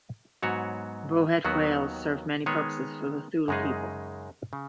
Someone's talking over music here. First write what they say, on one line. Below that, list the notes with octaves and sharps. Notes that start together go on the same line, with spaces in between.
Bowhead whales served many purposes for the Thule people.
G#2 F#3 B3 F#4 C#5
D#2 D#3 F#3 B3 F#4
D#3 G#3 B3 G#4 C#5
F#2 C#3 G#3 D#4 G#4
C#3